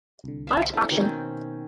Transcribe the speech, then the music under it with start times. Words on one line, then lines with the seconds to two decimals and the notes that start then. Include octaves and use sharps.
Art Auction.
0.24 C2 D3
0.47 C5 E5 F5
0.73 D4 E4 A4 F#5
0.91 B2 D#3 C4 C#4